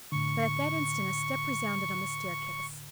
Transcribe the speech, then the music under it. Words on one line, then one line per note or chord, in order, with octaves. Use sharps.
But at that instant a step resounded on the staircase.
A2 D3 C#6